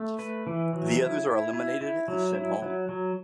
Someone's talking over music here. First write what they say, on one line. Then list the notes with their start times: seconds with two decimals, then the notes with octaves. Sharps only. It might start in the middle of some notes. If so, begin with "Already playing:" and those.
The others are eliminated and sent home.
Already playing: A3
0.19 B4
0.47 E3
0.73 F#3
1.01 E4
1.28 E4
1.53 E4
1.81 E4
2.08 F#3
2.34 E4
2.62 F#3
2.89 F#3